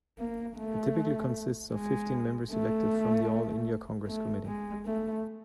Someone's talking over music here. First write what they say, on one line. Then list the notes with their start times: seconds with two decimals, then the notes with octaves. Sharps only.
It typically consists of fifteen members elected from the All India Congress Committee.
0.18 A#3
0.57 A3
1.74 G#3
2.52 A3
4.07 A3
4.46 G#3
4.85 A3